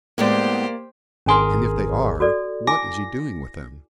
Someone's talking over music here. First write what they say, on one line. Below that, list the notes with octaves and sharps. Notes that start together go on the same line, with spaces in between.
"And if they are, what is he doing with them?"
A2 G#3 A#3 B3 G4 C5 D5
G#1 C#4 G#4 A#4 G#5 C6
F#4 A4 D5
E4 G#5 D6 A#6